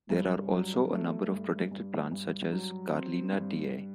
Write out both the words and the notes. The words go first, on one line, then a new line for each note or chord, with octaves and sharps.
There are also a number of protected plants such as Carlina diae.
G2
F#3
A3
G2
G2
G2
F#3
C4
G2